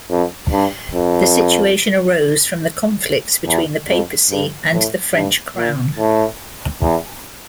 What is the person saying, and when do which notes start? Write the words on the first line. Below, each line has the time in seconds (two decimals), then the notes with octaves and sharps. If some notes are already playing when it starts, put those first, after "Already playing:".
The situation arose from the conflict between the papacy and the French crown.
0.10 F2
0.52 G2
0.95 F2
3.47 E2
3.88 F2
4.31 G2
4.73 A2
5.15 G2
5.57 A#2
5.98 A2
6.82 E2